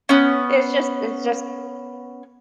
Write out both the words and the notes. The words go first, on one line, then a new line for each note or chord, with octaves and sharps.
it's just it's just
B3 C#4